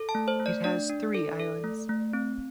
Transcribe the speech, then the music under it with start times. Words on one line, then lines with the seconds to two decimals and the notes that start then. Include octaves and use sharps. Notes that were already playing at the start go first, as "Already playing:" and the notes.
It has three islands.
Already playing: A4
0.09 A5
0.15 A3
0.28 C5
0.40 A3
0.46 D5
0.64 D4 D5
0.90 D4
1.14 A4
1.39 A4
1.64 A3
1.89 A3
2.13 C4